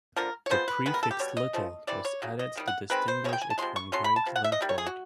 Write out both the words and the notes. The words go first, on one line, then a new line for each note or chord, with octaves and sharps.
The prefix 'Little' was added to distinguish it from Great Linford.
D3 F3 A#3 A#4
C#5
F3 G#3 B3 C5
B4
D#3 G#3 B3 B4
A#4
A4
G4
B2 G3 C#5
D#5
C#3 F3 A3
C3 E3 D5
C#5
C#3 F#3
D#5
C3 D#3 G3
F#5
D#3 G#3 C4 B4
C5
B2 G#3 C4 C#5
G5
G#5
A5
C3 F3 G#3 C6
C#6
F#3 A3 C#4 C6
B5
A5
C3 F3
F#5
E5
D#5
D#3 G3
C#5
G#4
F#4